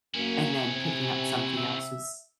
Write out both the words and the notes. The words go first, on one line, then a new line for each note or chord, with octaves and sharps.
and then picking up something else, was,
F#2 A#3 C#4 E4 G#5
C3
E5